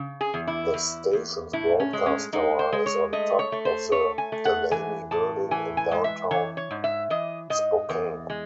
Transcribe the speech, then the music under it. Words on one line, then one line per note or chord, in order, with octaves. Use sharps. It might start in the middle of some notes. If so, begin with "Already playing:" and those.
The station's broadcast tower is on top of the Delaney Building in Downtown Spokane.
Already playing: C#3
G#4
E2
E4
E2
E2
A2 E4
C#4
G#3
C#4
G#3 D#4
C5
G#3
C#5
A3 D#5
C#5
A3
C5
A3 C#5
G#5
A3
F#5
E3 G#5
A2 A5
E3 G#5
G#5
G#3
E5
E3 C#5
C#5
G#2
E5
E3 D#5
G#2 D#5
E2
G#3